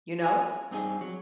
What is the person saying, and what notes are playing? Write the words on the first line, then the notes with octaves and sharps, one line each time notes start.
you know?
G#5
G2 C4 D#4 G#4
F#3